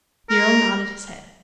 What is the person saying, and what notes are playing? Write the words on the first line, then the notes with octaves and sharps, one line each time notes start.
The Earl nodded his head.
A#4